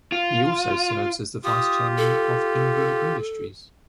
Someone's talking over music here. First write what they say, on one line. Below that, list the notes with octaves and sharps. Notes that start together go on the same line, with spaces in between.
He also serves as the Vice Chairman of Ingram Industries.
F4
F4 G4 D#6
A4